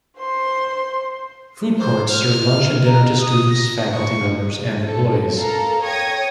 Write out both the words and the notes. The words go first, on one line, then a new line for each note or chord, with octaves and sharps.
Food courts serve lunch and dinner to students, faculty members, and employees.
C5 C6
C5
F6
A#5
D#6
A#6
C#6
A4
A4 A#4 F5 A#5
C#5 G5 D#6 G#6 A#6